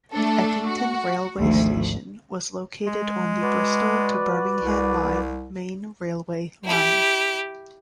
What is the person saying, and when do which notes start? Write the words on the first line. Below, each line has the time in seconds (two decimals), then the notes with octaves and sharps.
Eckington railway station was located on the Bristol to Birmingham Line main railway line.
0.12 A3 D4 A4
0.64 F#4
1.39 G#1 D2 F3
2.87 G#3
3.42 F#4 B4 D5
4.61 C2
6.64 E4 G4